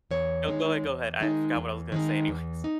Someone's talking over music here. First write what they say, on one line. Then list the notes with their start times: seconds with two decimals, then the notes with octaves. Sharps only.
No, go ahead, go ahead. I forgot what I was gonna say anyways.
0.11 E2 C#5
0.47 D#3 G#3 D#4
0.84 E2
1.20 D#3 G#3 D#4
1.56 E2
1.92 D#3 G#3 D#4
2.28 E2
2.64 D#4